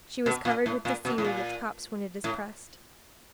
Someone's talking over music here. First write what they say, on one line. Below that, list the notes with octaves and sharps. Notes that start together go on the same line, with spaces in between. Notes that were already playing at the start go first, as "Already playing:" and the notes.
She was covered with the seaweed which pops when it is pressed.
B2
A#2
A2
A#2
B2
A2
A#2
A2